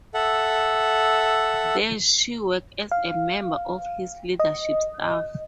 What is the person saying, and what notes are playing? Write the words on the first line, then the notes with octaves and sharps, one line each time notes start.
There she worked as a member of his leadership staff.
A4 E5 F#5
F5
D#5